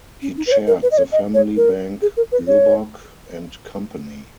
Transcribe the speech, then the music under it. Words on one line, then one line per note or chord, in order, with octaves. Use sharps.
He chaired the family bank Lubbock and Company.
C#4
D#4
B4
C#5
A#4
B4
D#5
C#5
D#5
C#5
A#4
G#4
A#4
B4
C#5